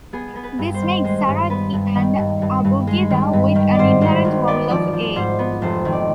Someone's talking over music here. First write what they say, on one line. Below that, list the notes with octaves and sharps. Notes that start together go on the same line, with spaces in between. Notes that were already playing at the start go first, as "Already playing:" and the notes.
This makes Sarati an abugida with an inherent vowel of "a".
B3 G#4
B3
B4
G2
C5
D#3
G#3 C5
G2
B3 B4
G2
D#3
G2
G2
G2
G#3
D#3
G2
D#3
G#2 C5 D5
G#1 C5
G#1
B3 D5
F3 D5
F3
G#2 C5
B3
F1 C5
D#3
D5